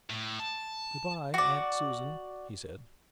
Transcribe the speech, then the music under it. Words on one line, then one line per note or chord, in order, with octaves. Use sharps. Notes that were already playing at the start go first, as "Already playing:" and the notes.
"Good-bye, Aunt Susan," he said.
A2
A5
F#4 D5